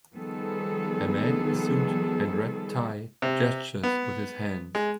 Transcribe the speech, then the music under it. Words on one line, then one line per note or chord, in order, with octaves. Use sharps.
A man in a suit and red tie gestures with his hands.
D#3 F3 G3 B3 G#4 A4
C3
B3
G#3